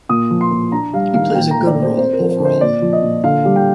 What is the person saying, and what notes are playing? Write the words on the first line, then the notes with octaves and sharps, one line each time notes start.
He plays a good role overall.
A#2 D#6
F3
C6
A#2
D4 A#5
G3 F5
D#3 F5
A#2 G5
A#5
A3
D5
A#2 C5
C4 C5
A#4
F3
C5
D3
C5
A#2 D5
F3
D#5
A#2
D3 F5
G3
G5